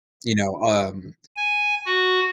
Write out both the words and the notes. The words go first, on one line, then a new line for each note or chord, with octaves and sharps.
you know, um,
G#5
F#4